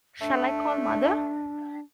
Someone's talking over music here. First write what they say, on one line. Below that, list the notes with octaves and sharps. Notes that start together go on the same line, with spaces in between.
Shall I call mother?
A3 D4